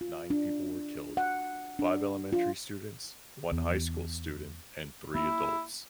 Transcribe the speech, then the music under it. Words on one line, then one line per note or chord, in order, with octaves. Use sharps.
Nine people were killed, five elementary students, one high school student and three adults.
F4
D4
F#5
D4
F4
E2
A#3 E4